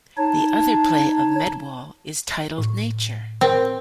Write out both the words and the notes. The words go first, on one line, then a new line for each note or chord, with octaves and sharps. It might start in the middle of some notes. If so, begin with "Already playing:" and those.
The other play of Medwall is titled "Nature".
D#4 C#5 A5
A2
C4 A#4